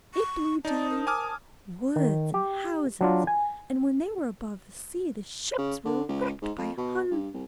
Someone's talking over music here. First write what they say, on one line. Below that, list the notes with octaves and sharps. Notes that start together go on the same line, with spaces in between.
It blew down woods and houses, and when they were above the sea the ships were wrecked by hundreds.
C#6
D#4 C5 D5 A5 D#6
A#4
G#5 D6 F6
D#3
G4
F#3 D4 F4
G#5
C#3
D3
C#2
G#2
F2
B2
G2
C2